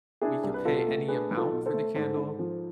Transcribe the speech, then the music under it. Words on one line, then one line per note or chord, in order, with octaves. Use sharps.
we could pay any amount for the candle,
D4 E4 G#4
C2
B4
B2 F4 A4
A3
D4 G#4 B4
B1 B4
F4 A4
B2
A4 C5
A3
G#2 A4 C5
G#2
F3